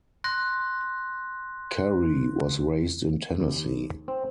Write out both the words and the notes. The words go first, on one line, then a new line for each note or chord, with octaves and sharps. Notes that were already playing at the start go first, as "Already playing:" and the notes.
Curry was raised in Tennessee.
C6 F#6 A#6
D#2
C4